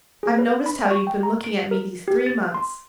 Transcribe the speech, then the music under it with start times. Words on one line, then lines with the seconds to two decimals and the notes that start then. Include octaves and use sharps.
I've noticed how you've been looking at me these three months.
0.23 G#4
0.38 B4
0.66 B5
0.91 C#6
1.07 G5
1.23 A#5
1.44 D7
1.71 A#4
2.08 G4
2.26 A6
2.54 C6